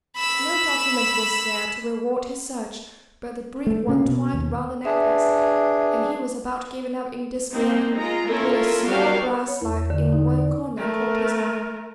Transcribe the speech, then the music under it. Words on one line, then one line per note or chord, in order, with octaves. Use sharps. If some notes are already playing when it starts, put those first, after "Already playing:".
No document was there to reward his search, but the brief one twined round the necklace; and he was about giving up in despair, when a small brass slide in one corner caught his eye.
B5 E6
A3
D2 C#3 A#3 C#4
B2
D#2
D4 G#4 B4 E5
A#3 C4 D#4
G#3 F4 A#5
A#3 C#4 E4 F4 A4 A#4
F#3 G3 F#4 G4 A#4 F5
B5
C#5
E2
D3
D#4
D5
A3 A#4